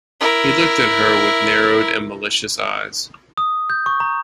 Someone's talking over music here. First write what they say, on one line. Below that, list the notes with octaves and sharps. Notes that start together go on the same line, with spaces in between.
He looked at her with narrowed and malicious eyes.
E4 A#4
D#6
G6
C#6
A#5